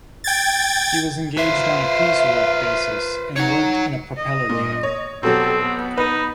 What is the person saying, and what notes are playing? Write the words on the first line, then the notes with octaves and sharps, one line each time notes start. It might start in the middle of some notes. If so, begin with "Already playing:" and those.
He was engaged on a piece work basis, and worked in a propeller gang.
G5 G#6 A6
F4 B4 C5 E5
D#4 C#5 F#5
D#5
A#2
C#5
B2 F#3 C4 G4 A4
B3
D#4 B4